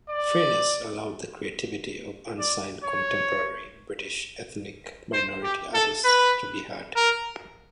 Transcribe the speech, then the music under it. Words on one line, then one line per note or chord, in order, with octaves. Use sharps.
Freeness allowed the creativity of unsigned contemporary British ethnic minority artists to be heard.
D5
D5
C#5
C5
G4
A4
B4
A#4